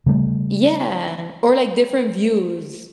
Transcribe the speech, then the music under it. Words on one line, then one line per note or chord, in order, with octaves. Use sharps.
Yeah, or, like, different views.
C#3 G3 A3